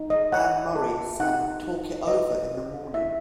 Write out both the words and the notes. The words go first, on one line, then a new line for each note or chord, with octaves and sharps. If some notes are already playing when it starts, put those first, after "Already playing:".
Anne Murray sang "Talk It Over in the Morning".
Already playing: D#4
D#5
C#5 F#5
A4
D#4 F#5
D#4
B4 D#5
F#4
E4 E5